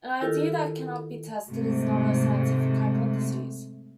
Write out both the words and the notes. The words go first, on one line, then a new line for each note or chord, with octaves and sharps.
An idea that cannot be tested is not a scientific hypothesis.
D#3 E4 F4 G4 A4 A#4
G#2 C3 A3